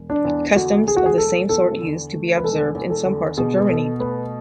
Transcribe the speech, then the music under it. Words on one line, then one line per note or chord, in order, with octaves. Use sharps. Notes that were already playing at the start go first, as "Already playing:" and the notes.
Customs of the same sort used to be observed in some parts of Germany.
Already playing: E1
D4
E2
D3 F#4
A3 G#4
F#4
G#4
E1 A4
E2 A4
D3
A3
B4
E1 A4
E2
A4
D3
B2 G#4
B4
B2 A4
A3 B4